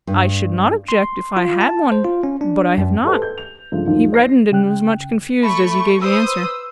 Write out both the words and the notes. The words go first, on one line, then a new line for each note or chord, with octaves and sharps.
'I should not object, if I had one; but I have not.' He reddened and was much confused as he gave the answer.
G2
C6
F4
A5
C5
F4
C#4
D4
F#2
G4 A4 B4 C5
G6
F7
G2 C#3 F3 A3
D#2 G#2 D#3 F3 F#3
C5 A#6 C7
C#3 G5 F#6
A3 B5 C#6
B4 C5 D#6 E6